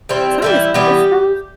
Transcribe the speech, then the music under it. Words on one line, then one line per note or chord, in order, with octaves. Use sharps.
some of this other stuff
E3 G3 C4
E3 G3 C4 E4
E3 G3 B3 G4